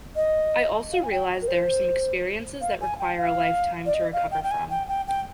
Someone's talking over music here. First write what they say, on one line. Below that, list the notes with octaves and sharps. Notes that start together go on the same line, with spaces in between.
I also realized there are some experiences that require a lifetime to recover from.
D#5
F5
G#5
G5
A#4
C5
F5
G#5
G5
F5
D5
D#5
F5
G5
G5
G#5
G5
G5
G5